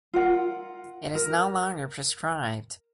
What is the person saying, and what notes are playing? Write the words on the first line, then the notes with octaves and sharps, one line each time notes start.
It is no longer prescribed.
F4 A#4 F#5
A#4